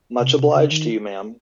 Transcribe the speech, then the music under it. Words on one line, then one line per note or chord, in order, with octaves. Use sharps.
Much obliged to you, ma'am!
C3
C3
C#3
D#3